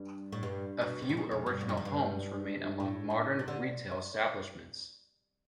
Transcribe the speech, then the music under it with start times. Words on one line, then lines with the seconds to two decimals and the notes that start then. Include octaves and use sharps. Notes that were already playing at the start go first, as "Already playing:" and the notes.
A few original homes remain among modern retail establishments.
Already playing: G2
0.32 A2
0.43 G2
0.81 B2
1.02 C3
1.09 A2
1.17 B2
1.31 F2
1.46 G2
1.61 A2
1.69 G2
1.77 F2
1.85 G2
2.80 A2
3.10 A2
3.39 C3
3.48 D3